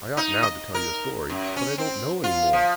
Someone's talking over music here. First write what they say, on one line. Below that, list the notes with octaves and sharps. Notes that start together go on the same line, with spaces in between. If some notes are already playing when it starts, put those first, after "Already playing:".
"I ought now to tell you a story; but I don't know any more."
D#4
D#5
A#4
F#2
C#4
C4
F4
F3